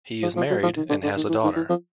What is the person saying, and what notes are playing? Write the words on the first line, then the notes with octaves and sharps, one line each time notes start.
He is married and has a daughter.
F3
F3
F#3
F3
D#3
D3
D3
D#3
E3
D#3
E3
F3